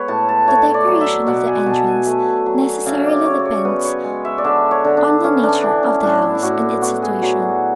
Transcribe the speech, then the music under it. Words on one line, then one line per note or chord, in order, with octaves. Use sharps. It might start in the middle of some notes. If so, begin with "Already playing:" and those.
The decoration of the entrance necessarily depends on the nature of the house and its situation.
Already playing: G#3 B3 B4 C#5
A2 A5
A5
A3 C#5
D5
F#3
E5
B2 F#5
G#5
B2 A5
G#5
A3
F#3
C#3 E5
D5
C#3 C#5
D5
C#5
B3 B4
C#5
G#3
E5
D5
D3 E5
C#5
D3
D4
B3 C#4
D4
E3 D4
C#4
A2 D4
E4
E4
A2 F#4
B3 F#4
G#4
F#3 F#4
F#4